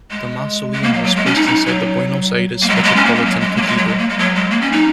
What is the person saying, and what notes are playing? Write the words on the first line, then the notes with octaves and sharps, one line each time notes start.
The mausoleum was placed inside the Buenos Aires Metropolitan Cathedral.
G#3
G#3
A#3
F#3
F#3
G#3
C#4
D#4
D#4
F#3
A#3
G#3
F#3
G#3
C#4
A#3
G#3
F#3
G#3
A#3
F#3
G#3
F#3
G#3
A#3
G#3
F#3
G#3
A#3
C#4
D#4